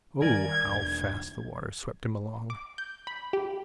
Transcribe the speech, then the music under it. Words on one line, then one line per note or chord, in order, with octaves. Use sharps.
Oh, how fast the water swept him along!
D#3 G3 A#4 D5 G#5 G#6
E1 E2 D3
D6
G6
B5
G4